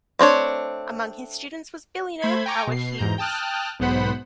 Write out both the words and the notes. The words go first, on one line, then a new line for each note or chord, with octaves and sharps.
Among his students was billionaire Howard Hughes.
A3 C4 D4 C#5
A3 C5 B5 G#6
G5 G#5 A#5 C#6 D6
B2 C7
E2 G#2 A#5 G6
G5 A5 D#6 F6 F#6
B1 G#2 B3 C5 F#5 B5